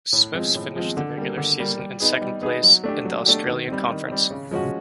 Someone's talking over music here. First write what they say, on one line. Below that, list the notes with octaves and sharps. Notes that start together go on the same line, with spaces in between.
Swifts finished the regular season in second place in the Australian Conference.
A2
F3 G#3 C4
A2
F3 G#3 C4
D3
G3 A#3
D3
G3 A#3
G3
B3 D#4 G#4
G3
B3 D#4 G#4
F#3
A3 D4 G4
F#3
A3 D4 G4
D#3
G3 C4
D#3
G3 C4
C#3
F3 G#3 C#4 F#4